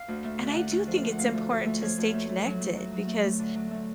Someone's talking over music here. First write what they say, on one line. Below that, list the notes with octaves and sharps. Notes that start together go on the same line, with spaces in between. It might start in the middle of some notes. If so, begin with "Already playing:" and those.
and I do think it's important to stay connected because
Already playing: F5
D2
A3
D3
D3 F#5
A3
F3
D2
F#5
D2 F5
A3
D2
A3
F3 C#5
D2
A3
A3
F#3
A3
F#3
F#3
A3
A3
D3
F#3
A3